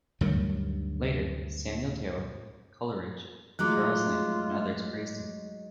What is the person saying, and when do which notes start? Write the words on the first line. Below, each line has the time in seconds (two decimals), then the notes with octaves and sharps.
Later, Samuel Taylor Coleridge, Charles Lamb and others praised him.
0.21 D2 G2 D#3 F#3
3.59 F#3 G#3 A3 D#4 F4 D6 F#6